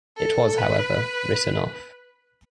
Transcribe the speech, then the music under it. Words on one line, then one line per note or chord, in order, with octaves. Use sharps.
It was however written off.
A4
B4